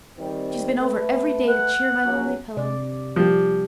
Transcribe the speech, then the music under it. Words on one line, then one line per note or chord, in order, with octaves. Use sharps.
She's been over every day to cheer my lonely pillow.
D#3 G3 C4
A3 B4
F#5
A#1 F#3 C#4
C3 D5
F3 G3 G4